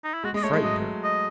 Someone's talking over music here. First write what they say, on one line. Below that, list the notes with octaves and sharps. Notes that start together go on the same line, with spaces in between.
It frightened her.
D#4
E4
G#3 F#4
G#3 D#5
A3 C#5
G#3
F#3 D#5
D#5